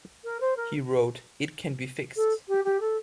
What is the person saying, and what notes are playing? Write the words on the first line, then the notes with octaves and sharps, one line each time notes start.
He wrote It Can Be Fixed!
A#4
C5
A#4
A4
G4
G4
A4